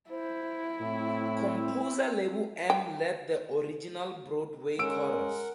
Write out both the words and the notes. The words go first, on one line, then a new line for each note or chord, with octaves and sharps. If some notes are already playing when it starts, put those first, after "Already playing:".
Composer Lebo M led the original Broadway chorus.
E4 C5
A2 C4
G5
G#3 C#4 A#4 F#5 E6 D7